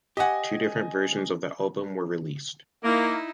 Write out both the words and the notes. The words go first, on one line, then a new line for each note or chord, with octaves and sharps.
Two different versions of the album were released.
G4 D#5 F#5 G#5
A#3 D#4 E4